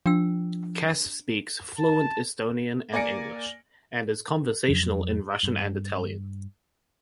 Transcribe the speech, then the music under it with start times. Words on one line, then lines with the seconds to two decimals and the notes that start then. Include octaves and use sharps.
Kass speaks fluent Estonian and English, and is conversational in Russian and Italian.
0.06 F3 D4 G5 E6
1.78 A5
2.93 A#3 D5 G#5 A#6 C#7 D7
4.68 F2 F3 F#3
5.43 G2